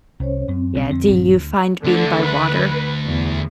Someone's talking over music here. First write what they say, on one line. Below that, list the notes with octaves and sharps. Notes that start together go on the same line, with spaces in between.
Yeah, do you find being by water
C2 C#4 C5 C#5
F#2 C4
B1 B2 G3
F2 D3
A#1 G2 D#3
D2
D2 D3 A3
B4
E2